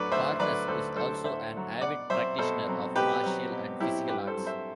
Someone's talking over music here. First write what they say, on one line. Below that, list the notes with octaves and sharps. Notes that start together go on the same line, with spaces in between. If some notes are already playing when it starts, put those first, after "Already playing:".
Barnes is also an avid practitioner of martial and physical arts.
Already playing: D2 D3 F#3 B4 D5
D2 C5 E5
D3 F#3 B4 D5
D2 A4 C5
D3 F#3 A4 C5
D2 C5 E5
D3 F#3
B2 D5 F#5
F#3 C4 C5 E5
B2 A4 C5
F#3 C4
B2 G4 B4
F#3 C4
B2
F#3 C4 E4 G4
G2 G4 B4
A4 C5
F#3 C4
C5 E5